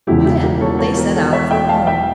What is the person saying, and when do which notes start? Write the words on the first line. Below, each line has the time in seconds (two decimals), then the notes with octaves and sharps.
Then they set out for home.
0.07 E1 E2 C#3 F3 E4 G4
0.25 E4 G4
0.43 G4 A#4
0.57 A#4
0.61 A4 C#5
0.79 A4 C#5
0.92 C#5
0.97 G4 A#4
1.15 A4 C#5
1.33 C#5 E5
1.51 E5 G5
1.69 F5 A5
1.87 E5 G5